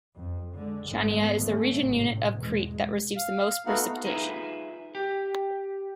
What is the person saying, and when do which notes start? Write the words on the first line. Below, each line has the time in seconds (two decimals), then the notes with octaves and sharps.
Chania is the regional unit of Crete that receives the most precipitation.
0.17 F2
0.56 D3 G#3
0.91 G#1 G#3 A3 B3
1.44 D3 A3 C#4
1.80 G#1 A2 C3
2.37 E2 B2 G#3
3.16 F5
3.66 A3 B3 D#4 F#4 F5 F#5
4.05 D#4 F4 G#4 B4 E5
4.95 G4